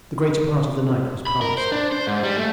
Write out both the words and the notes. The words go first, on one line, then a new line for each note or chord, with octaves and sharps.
The greater part of the night was past.
B5
A#4
C5
D4
C5
G#2
G3
A3